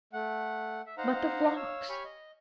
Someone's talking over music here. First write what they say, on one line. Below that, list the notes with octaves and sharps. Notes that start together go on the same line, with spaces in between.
"But the flocks!"
A3 F#5
E5
D#4 C5 F5 F#5 A#5
C#5 F5 E6
G4 C#5 G#5 B5 C#6 F6
D#5